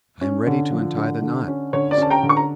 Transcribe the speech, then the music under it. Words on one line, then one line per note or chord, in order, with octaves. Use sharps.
"I am ready to untie the knot," he said.
C#4
D3
F3
D3
D3
C#4
D3 C#5
D5
C#4 A5
G5 A#5
D3
C#6
A#5